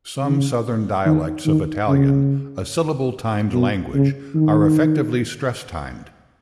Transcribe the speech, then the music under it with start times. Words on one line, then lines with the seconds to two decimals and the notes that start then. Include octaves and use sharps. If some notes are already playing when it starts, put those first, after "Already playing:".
Some southern dialects of Italian, a syllable-timed language, are effectively stress-timed.
0.23 C#3
1.06 D#3
1.46 D#3
1.88 C#3
3.53 B2
3.94 C#3
4.35 D#3